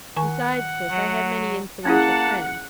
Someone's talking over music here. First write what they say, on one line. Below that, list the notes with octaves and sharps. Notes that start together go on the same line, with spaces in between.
Besides this, I have many influential friends.
D#3 F#5 G#5 C#6
F#3
A#3 C#4 E4 G#4 F#5 A5